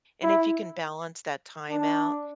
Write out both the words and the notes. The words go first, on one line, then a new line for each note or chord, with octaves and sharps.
And if you can balance that time out
E4
D4